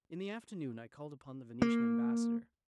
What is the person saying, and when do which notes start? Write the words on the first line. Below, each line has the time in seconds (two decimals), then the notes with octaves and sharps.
In the afternoon I called upon the Venetian ambassador.
1.62 A#3